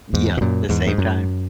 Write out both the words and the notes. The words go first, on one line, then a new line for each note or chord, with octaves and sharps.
Yeah. The same time.
E2 G#2
B2
F#2 A#2
E2 G#2
G#2
F#2